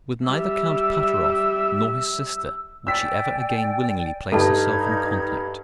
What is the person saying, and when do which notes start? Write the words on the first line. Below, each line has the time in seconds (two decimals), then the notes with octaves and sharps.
With neither Count Pateroff nor his sister would she ever again willingly place herself in contact.
0.25 G3 E5 E6
2.87 D5 G5 G#5 E6 B6
4.32 G2 D#4 G4 A4 A5 A#5 G#6